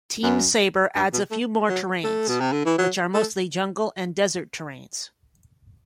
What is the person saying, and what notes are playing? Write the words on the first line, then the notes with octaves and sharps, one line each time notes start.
"Team Sabre" adds a few more terrains which are mostly jungle and desert terrains.
F#2
G2
B2
A3
F#3
A3
B2
C3
D3
E3
F#3
A3